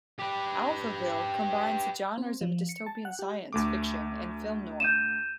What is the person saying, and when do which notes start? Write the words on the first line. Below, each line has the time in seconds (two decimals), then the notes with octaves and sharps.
"Alphaville" combines the genres of dystopian science fiction and film noir.
0.19 G4 B4
2.18 C4
2.41 F3
2.69 C#7
2.86 A5
3.05 F#5
3.19 G4
3.53 D2 A3 D6
4.80 G6 D#7 E7